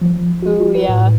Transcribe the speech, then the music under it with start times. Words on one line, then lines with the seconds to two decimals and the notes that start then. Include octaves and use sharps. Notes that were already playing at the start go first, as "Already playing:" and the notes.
Ooh, yeah.
0.02 F3
0.42 F#4
0.60 F4
0.75 B4
0.89 A2